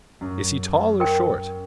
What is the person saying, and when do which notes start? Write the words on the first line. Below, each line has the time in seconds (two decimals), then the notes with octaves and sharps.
"Is he tall or short?"
0.21 F#2
1.00 A#4 G5